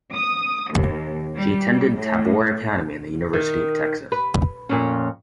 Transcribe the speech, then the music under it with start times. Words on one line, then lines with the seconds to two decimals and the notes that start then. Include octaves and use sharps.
She attended Tabor Academy and the University of Texas.
0.13 D#6
0.71 D#2
1.35 G3
1.97 A2
3.33 D#3
4.12 B4
4.69 F2 A#2 C#4